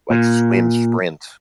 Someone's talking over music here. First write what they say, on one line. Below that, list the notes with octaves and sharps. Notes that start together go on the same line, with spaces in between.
like swim sprint
A#2